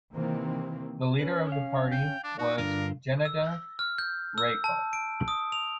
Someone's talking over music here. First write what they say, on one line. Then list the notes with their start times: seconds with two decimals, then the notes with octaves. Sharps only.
The leader of the party was Gennady Raikov.
0.14 C3 D#3 E3 A#3 C4
1.19 C#4 B4
1.52 F5
1.92 G5
2.24 D4 A5
2.39 D#4 F#4
2.58 G2 D3 D4 F4 A#4
3.25 E6
3.79 F6
3.98 G6
4.38 E6
4.64 A5
4.93 D7
5.28 D#6
5.52 F7